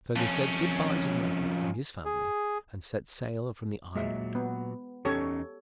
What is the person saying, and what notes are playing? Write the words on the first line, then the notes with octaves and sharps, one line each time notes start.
So they said good-bye to the monkey and his family, and set sail from the island.
F2 C#4
G#4
A#2 F#3 G#3 E5
B3
E2 C#4 D#4 G4 A4 C#5